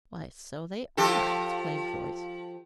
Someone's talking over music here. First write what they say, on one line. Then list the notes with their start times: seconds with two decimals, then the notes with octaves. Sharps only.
"Why, so they are!" exclaimed Joyce.
0.97 F3 G4 A4